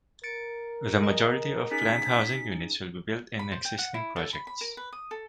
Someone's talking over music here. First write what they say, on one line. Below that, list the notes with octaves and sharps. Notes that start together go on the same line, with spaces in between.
The majority of planned housing units will be built in existing projects.
A#4 A6 C#7 D7
G#4 D#5
C#4 D#4 G#4 B6
B5
C5
G5
F#5
E4
A4
B5
B5
A#4
B4
D#6
A4